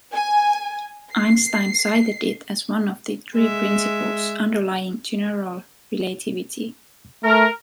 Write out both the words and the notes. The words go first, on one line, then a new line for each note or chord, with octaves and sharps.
Einstein cited it as one of the three principles underlying general relativity.
G#5
C7
G#3 E5
A3 A#4